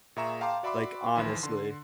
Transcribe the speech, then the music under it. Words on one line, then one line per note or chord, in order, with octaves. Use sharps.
Like, honestly.
A#2 G#4 E5 A#5 C#6 E7
F5 G5 A5 A#5 C6 D6
F#4 D5 E5 B5 C6 D6
A#1 D#2 E3 E4 C6
D3 C6